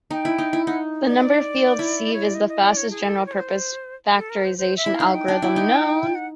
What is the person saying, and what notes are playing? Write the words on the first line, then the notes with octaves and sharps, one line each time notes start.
The number field sieve is the fastest general-purpose factorization algorithm known.
D#4 G5
E4
D#4
E4
D#4 F#5
D5
D#5
D5
E4
C#5
D5
D#5
D#5
D5
C#5
G#4
A4
A#4
C#5
C5
A4
A#4
C5
C5
E5
E4
D#4 F5
G5
D4
E4
D#4
F#5